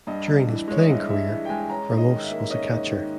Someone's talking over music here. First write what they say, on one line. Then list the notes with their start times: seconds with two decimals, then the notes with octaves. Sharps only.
During his playing career, Ramos was a catcher.
0.07 G2 D#5
0.28 G2
0.48 E3
0.68 G#3 C#5
0.79 D#5
0.88 G2 E5
1.08 G2 E5
1.29 E3
1.45 G5
1.49 G#3 G#5
1.70 C#4 A#5
1.90 G#2
1.97 D#5
2.10 D#3
2.24 E5
2.30 A#3
2.50 C#4 D#5
2.72 G#2
2.91 D#3